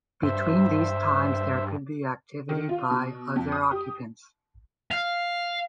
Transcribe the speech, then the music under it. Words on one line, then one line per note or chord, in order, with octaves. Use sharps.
Between these times there could be activity by other occupants.
G2 C5 E5
D#3
F4
B2
F2
D#6
G4
F5